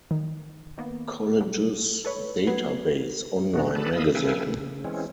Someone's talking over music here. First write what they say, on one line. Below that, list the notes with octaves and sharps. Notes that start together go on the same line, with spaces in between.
Colleges Database Online Magazine.
D#3
D#3 A#3 B3
B2 F#3 G3
A4 B4 C#5
F#3 B3 F#4 B4 G#6 C7
A#2 G#3 A3 B3 D4 F#4
G#4 A4 B4 D5 A5 B5
D#5 F5 B5 D#6 E6
A4 B4 E5 F5 G5 G#5
C#3
E3 G#3 C4 C#4